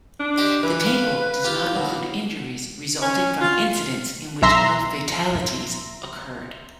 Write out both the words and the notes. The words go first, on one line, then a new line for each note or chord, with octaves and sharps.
The table does not include injuries resulting from incidents in which no fatalities occurred.
D4
G4 C5 D#5
E3 B4
F5
F4 G4
D#2 B2
C#4
F4
B1 E5 A#5 C6